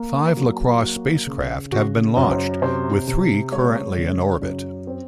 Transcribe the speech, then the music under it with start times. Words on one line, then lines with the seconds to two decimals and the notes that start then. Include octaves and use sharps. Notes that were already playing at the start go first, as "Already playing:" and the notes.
Five Lacrosse spacecraft have been launched, with three currently in orbit.
Already playing: A#3
0.37 F#3
0.82 A#3 F#4
1.27 C#3
1.72 C#3 F#4
2.17 F#2
2.31 C5
2.61 C3 C5
3.07 C3
3.52 G#3 C#5
3.97 C#3
4.42 F#2
4.87 C4